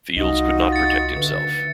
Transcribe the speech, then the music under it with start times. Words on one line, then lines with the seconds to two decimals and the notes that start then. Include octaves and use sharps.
Fields could not protect himself.
0.17 C2 D#4 F4 F#4 D#5
0.72 A6 C#7
1.16 D2 D3 B4 E5